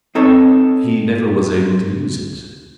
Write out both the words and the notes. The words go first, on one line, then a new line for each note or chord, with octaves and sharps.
He never was able to use it.
C4 D#4 A4 C#5